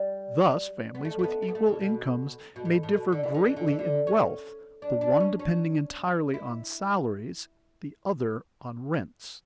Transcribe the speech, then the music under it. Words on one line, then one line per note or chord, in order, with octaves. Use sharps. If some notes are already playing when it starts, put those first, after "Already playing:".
Thus, families with equal incomes may differ greatly in wealth, the one depending entirely on salaries, the other on rents.
Already playing: G3
B3
A3
A3
B3
A3
B3
A3
C#3
B2
B2
A2
A2
B2
D3
E3
D3
E3
D3
E3
D3
C#4
D4
D4
C#4
C#4
E4